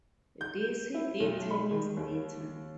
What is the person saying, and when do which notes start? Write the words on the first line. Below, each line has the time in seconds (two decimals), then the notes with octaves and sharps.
This he did ten years later.
0.41 G6
0.94 E4
1.20 B1
1.51 B5
1.71 D#3
1.97 D#2